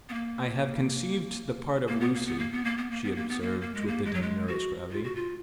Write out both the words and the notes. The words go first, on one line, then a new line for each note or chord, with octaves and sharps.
"I have conceived the part of Lucy," she observed, with the demurest gravity.
B3
A#3
A#3
B3
A#3
B3
A#3
B3
A#3
B3
A#3
B3
A#3
B3
A#3
A#3
G#3
A#3
G#3
F#3
G#3
F#4
F4
F#4
F4